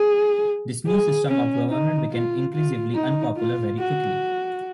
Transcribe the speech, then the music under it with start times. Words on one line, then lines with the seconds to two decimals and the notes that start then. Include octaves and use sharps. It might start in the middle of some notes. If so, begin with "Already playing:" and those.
This new system of government became increasingly unpopular very quickly.
Already playing: G#4
0.86 G#4
1.28 C#4
1.70 D#4
2.11 F4
2.54 F4
2.95 D#4
3.37 F4
3.79 F#4